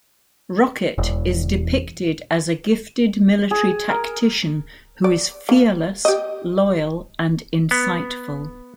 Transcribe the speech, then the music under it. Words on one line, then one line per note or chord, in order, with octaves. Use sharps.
Rocket is depicted as a gifted military tactician who is fearless, loyal, and insightful.
E1
G#4
A#4
D5
A#3
G4 D#5
B3